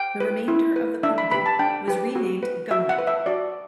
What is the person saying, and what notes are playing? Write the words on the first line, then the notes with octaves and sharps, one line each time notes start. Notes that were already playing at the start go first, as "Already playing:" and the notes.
The remainder of the company was renamed Gumlink.
Already playing: G5
B4
E4
B4
D4 E5
B5
G4 B4 B5
A5
D4 G5
G4 B4
F#4
B4
F#4 E5
F#5
B4
E5
F#4 D5